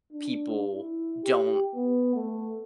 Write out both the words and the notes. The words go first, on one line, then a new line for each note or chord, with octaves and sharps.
people don't
D4
E4
G4
B3
A3